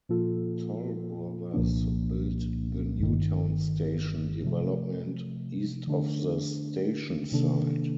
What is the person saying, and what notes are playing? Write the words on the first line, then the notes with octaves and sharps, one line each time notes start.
Toll Brothers built the "Newtown Station" development east of the station site.
A#2 F3 A#3 F4 A4
C2 A#2 F3 A#3 D4
G1 G2 D#3
C3 F3 A3
D3 A3 D4
C3 D#3 A#3 D4 A4